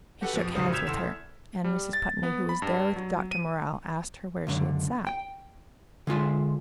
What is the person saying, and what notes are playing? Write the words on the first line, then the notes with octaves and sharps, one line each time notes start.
He shook hands with her, and Mrs. Putney, who was there with Dr. Morrell, asked her where she had sat.
F#4 G4 A4 B4 F#5
F2 B2 F3
D#1 G#1 C#3 C5 D#6 C7
E6 G6 G#6 B6 E7 F7
E2 A4 C6 E6 F6 E7
G3
A6
B3
B5
G2
F#3
D#7
C#2 F#2 D3
G5
D3 G#3 F4 E5